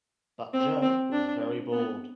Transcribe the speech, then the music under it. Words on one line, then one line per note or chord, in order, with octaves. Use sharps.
But Joe was very bored.
C4
C4
D4
B3